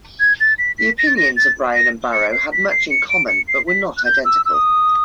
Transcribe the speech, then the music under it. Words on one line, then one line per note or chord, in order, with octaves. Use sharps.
The opinions of Browne and Barrowe had much in common, but were not identical.
G#6
A6
B6
B6
A#6
A6
A#6
A6
A#6
C#7
C7
B6
C7
C#7
D7
C#7
C7
B6
F#6
G6
E6
E6
D#6